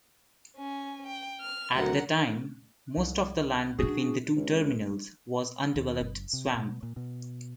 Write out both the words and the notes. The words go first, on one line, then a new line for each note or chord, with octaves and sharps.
At the time, most of the land between the two terminals was undeveloped swamp.
C#4 G#5
G5
F6
D2 F#3 A#4 F#5
C2
C#4 D4 F#4 G#4
C#2
D#2
F#1
C3
B2
A#2
B2